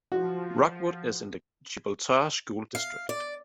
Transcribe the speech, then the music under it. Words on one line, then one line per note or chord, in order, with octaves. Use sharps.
Rockwood is in the Gibraltar School District.
F3 F#4
F5
D5